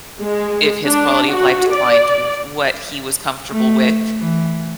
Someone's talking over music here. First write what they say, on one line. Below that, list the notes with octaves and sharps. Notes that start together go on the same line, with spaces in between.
if his quality of life declined, w what he was comfortable with.
G#3
D4
F#4
D5
A3
E3